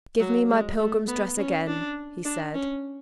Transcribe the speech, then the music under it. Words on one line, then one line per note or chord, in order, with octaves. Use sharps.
"Give me my pilgrim's dress again," he said.
F#3
G#3
A3
B3
C#4
D4
D4
C#4